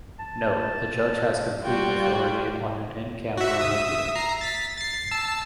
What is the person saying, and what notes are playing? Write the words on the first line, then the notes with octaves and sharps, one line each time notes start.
Note: The judge has complete authority on an in-camera review.
A5
G3 F4 F#4 G5
F#4 E5
E5 D#6
A#5 C7
A6 B6
A6 C7
A5 E6